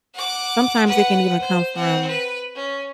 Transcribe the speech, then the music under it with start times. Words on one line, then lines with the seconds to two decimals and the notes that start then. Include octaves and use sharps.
sometimes it can even come from
0.14 F#5 D6
0.87 B4 F#5
1.40 C5
1.75 C4 F#5
2.08 B4
2.55 C#4